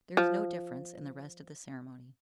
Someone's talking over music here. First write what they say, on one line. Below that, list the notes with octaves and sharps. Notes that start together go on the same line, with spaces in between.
There is no difference in the rest of the ceremony.
F3